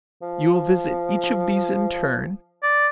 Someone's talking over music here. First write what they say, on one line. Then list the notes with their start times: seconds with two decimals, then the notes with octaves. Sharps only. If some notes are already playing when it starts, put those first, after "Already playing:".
"You will visit each of these in turn."
0.22 F3
2.63 D5